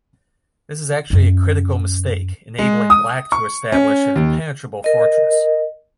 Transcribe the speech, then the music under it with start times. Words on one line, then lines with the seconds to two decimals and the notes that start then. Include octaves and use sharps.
This is actually a critical mistake, enabling Black to establish an impenetrable fortress.
1.10 F#2 C#4
2.59 G#3
2.90 D#6
3.32 C#6
3.72 C#4
4.16 D#2
4.84 A#4 D#5